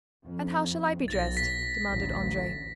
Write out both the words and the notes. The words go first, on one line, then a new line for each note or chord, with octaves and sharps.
"And how shall I be dressed?" demanded Andrea.
F2
B1 A6 A#6
B6
A1 D2